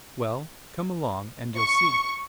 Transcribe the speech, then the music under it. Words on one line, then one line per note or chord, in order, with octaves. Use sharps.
"Well, come along and you'll see!"
C#6